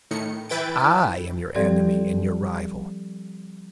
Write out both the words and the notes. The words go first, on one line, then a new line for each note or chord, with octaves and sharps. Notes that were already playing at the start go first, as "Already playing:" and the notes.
I am your enemy and your rival.
A2 D#3 C#7
E3 E4 B4 G5 A6 D7
F3 G3 C4 G4 A4 D5